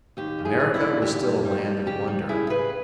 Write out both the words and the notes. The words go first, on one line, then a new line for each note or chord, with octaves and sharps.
America was still a land of wonder.
D#2 G4
C#3
E4 G#4
E3
E4
D#2
D#2 G4
G3
G3
G3
C#3 G4
G3
C#3 E4 G#4
C#3 G#4 B4